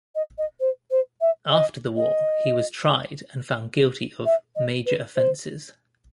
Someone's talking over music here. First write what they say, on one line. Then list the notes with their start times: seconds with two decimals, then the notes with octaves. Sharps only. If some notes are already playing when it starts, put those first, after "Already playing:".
After the war, he was tried and found guilty of "major offenses".
0.15 D#5
0.38 D#5
0.60 C5
0.91 C5
1.21 E5
1.51 D#5
1.96 D#5
4.25 E5
4.56 D#5
4.86 B4
5.16 C5